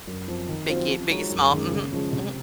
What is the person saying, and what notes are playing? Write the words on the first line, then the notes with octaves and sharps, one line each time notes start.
Biggie, Biggie Smalls, mhm, mhm.
F#2
F3 C4
D#3
F#3 C4 F4 C5
F3
G#3 D#4 F#4 C#5
F#2
D#3 G#3 C#4
C#3
F3 G#3 C#4
C3